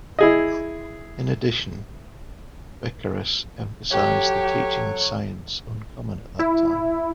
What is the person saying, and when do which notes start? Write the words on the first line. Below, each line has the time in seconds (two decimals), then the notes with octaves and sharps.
In addition, Becheras emphasised the teaching of science, uncommon at that time.
0.19 E4 G#4 D#5
3.91 F#3 G4 A4 C#5
6.39 E4